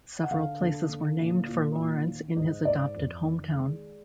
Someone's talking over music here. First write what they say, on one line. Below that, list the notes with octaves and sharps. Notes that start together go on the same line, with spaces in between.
Several places were named for Laurence in his adopted hometown.
F#5
D3 F5
D3
D3
A#2
A#2
A#2
D#3
G#2 D#5
G#2 D5
F2
D#3
G#3